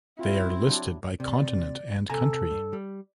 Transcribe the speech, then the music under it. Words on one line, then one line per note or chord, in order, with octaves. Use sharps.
They are listed by continent and country.
C4 E4 F4
F#3 G3 D4
C3 D5
C3 A4 G#5 A#5
G2
G3